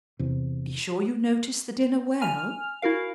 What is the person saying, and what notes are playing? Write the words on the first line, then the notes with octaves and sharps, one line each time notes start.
Be sure you notice the dinner well.
E2 C3
G#5 F6 F7
E4 F#4 A#4 F5